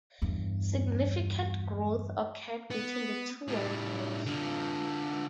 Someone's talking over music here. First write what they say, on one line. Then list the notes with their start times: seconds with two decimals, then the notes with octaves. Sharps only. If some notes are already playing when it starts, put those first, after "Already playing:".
Significant growth occurred between the two world wars.
0.22 E2 G2
2.70 B3
3.48 A2 G3
4.26 D3 F4